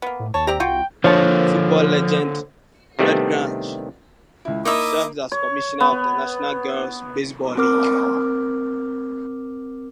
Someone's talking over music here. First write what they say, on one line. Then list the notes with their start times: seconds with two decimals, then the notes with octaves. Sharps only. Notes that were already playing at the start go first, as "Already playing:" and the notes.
Football legend Red Grange served as commissioner of the National Girls Baseball League.
0.02 A#3 B3
0.19 A2
0.34 D#2 C#5 A5
0.47 C4 G4 D5 A#5
0.60 C2 F4 F#4 G5
1.04 D3 F3 A#3 C5 C#5 A5
2.99 C3 D#3 G3 A3 B3 D4
4.45 C#2 E4
4.65 A#3 D#4 E4 D#5 E5 D6 D#6
5.32 C#5
5.80 B3
7.57 C4 A#4 D6 F6